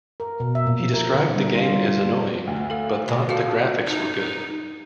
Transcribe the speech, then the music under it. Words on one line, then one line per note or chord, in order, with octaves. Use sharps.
He described the game as annoying, but thought the graphics were good.
A#4
B2
E5
A#2
F3
A#4
D3
G3
F4
G3
F4
A#3
D2
A4 F5
B2
F3 F#4 A4 F5
D#4